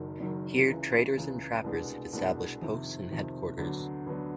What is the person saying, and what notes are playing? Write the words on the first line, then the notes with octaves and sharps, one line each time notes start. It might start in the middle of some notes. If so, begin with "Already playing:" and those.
Here traders and trappers had established posts and headquarters.
Already playing: F#1 F#2 D#3 F#3
F#1 F#2 D#3 F#3
C#2 C#3 E3
C#2 C#3 E3
C2 B2 G#3 B3 D4
C2 B2 G#3 B3 D4
F2 C3 D#3
F2 C3 D#3
D2 D3 F#3 B3 D4
D2 D3 F#3 B3 D4